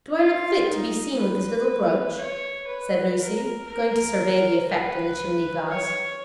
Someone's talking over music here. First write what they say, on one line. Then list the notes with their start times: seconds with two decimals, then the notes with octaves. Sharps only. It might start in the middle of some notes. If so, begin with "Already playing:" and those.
"Do I look fit to be seen with this little brooch?" said Lucy, going to survey the effect in the chimney-glass.
0.18 F4
0.67 D#4
1.18 B4
2.17 C#5
2.67 B4
3.18 A#4
3.67 A#4
4.67 B4
5.69 C#5